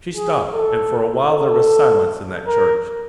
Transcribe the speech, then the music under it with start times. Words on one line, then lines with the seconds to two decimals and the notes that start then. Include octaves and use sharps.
She stopped, and for a while there was silence in that church.
0.15 G#4
0.54 A4
1.31 A4
2.47 A#4